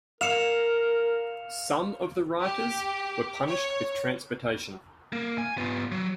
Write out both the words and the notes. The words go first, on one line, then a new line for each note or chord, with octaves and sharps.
Some of the rioters were punished with transportation.
A#4 F5 C#7 E7 F7
G4
C#5
A#3
G#5
B3 F4
F#3